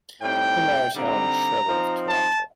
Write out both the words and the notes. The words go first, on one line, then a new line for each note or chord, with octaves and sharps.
He married Helen Sherwood of Toronto.
A2 G3 C4 D#4 G5
D3 G3 C4 D#4 A#5
F3 C4 D#4
A5